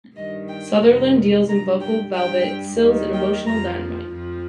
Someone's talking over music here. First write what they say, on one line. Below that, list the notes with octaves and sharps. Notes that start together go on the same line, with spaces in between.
Sutherland deals in vocal velvet, Sills in emotional dynamite.
G2 D#3 G3 D#5
G5
F2 C3 D#3 G3 A#5
G2 G3 A#5
G5
G2 G3 G5
D#2 D#3 G3
G5
F2 F3 A#5
F2 F3